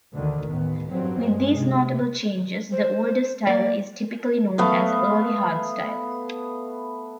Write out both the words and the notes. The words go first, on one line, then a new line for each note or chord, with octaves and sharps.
With these notable changes, the older style is typically known as "early hardstyle".
D2 D3 D#3
A1 D#2 B3
G2 F#3 C4
G2 G#3
C3
C5
A#3 D5
A3 B3 F5